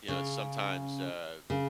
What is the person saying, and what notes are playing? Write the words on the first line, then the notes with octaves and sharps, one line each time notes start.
you know, it's sometimes uh,
C#3
C#3